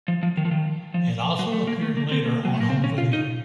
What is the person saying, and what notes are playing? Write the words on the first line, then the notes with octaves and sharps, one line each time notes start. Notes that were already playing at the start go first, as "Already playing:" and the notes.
It also appeared later on home video.
F3
F3
D#3
F3
D#3
F3
F#3
A3
A#3
A3
A#3
C4
A#3
F#3
A3
A#3
C4
C#4
F4
D#4